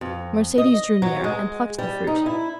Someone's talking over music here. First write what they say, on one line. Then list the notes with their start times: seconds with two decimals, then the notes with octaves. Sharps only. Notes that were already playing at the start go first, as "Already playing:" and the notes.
Mercedes drew near, and plucked the fruit.
0.01 F2
0.58 D#5
1.02 F#3
1.24 G#3
1.78 G3
2.07 D#4
2.26 E4